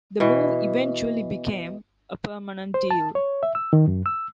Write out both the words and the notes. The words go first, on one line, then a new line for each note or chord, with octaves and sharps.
The move eventually became a permanent deal.
B2 E3
C5
A5
C#5
E5
E6
D#3
F#2
E6